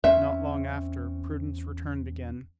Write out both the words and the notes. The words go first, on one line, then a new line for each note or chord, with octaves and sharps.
Not long after, Prudence returned again.
E2 C4 C#4 E5